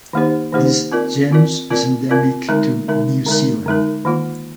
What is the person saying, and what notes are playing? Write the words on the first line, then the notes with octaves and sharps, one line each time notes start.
This genus is endemic to New Zealand.
D#3 A#3 D#4 G4 C5
D#3 A#3 D#4 G4 C5
C4 F4 A#4 D5
C4 F4 A#4 D5
C4 F4 A#4 D5
C4 F4 A#4 D5
D3 G#3 D#4 A#4
D3 G#3 D#4 A#4
D3 G#3 D#4 A#4
D3 G#3 D#4 A#4
D#3 A#3 F4